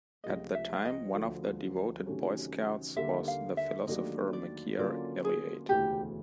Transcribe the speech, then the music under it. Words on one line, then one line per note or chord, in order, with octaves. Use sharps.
At the time, one of the devoted Boy Scouts was the philosopher Mircea Eliade.
C#2 C3 F3 A3 D#5
E5
D#5
D2 D3 F3
C3 D#3 F#3 A3 C#4
D#2 D3 G3 A#3 E5
F5
E5
D#2 D#3 F#3 A3 D4 D#5
D5
D3 F#3 A#3 C#4 F4 D5
G#4
E1 D2 C#3 E3 A3 G4